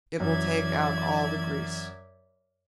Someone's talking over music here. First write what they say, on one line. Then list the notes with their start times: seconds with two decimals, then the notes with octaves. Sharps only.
It will take out all the grease.
0.20 F#2 E3 D5 E5 G#6